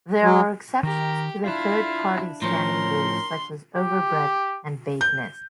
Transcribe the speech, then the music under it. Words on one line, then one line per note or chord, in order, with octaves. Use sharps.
There are exceptions to the Third Party Standing rule, such as overbreadth and vagueness.
F#3
D#3 G4 A#4
D4 E4 F4 F5
A2 F3 C#4 A#4 C6
G4
G6